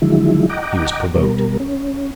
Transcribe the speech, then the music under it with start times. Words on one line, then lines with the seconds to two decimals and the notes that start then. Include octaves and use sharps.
He was provoked.
0.02 D3 D#3 F3 F#3 G#3 E4
0.50 D#5 F#5 G5 A#5 D6
1.15 B2 G3 A#4
1.60 C#4